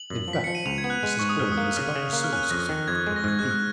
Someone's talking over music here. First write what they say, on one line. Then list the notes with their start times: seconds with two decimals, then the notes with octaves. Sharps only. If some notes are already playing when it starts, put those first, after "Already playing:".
In fact, Mrs. Corney was about to solace herself with a cup of tea.
Already playing: F#7
0.10 F#2
0.28 F3
0.33 B6
0.44 F3 C#7
0.55 D#7
0.66 C#2 F7
0.78 G#6
0.84 B3
0.90 F#6
1.03 G#3
1.19 G#2 C#6
1.29 D#6
1.39 G#2 F6
1.52 D#6
1.57 A#3
1.64 D#6
1.76 C#3 F6
1.96 C#3
2.13 A#3 F#6
2.24 F6
2.33 C#4 F#6
2.50 F2 A#6
2.69 D#3
2.88 F2 G#6
3.07 G#3
3.16 A#6
3.24 G#2 G#6
3.39 G#2 F#6
3.51 F6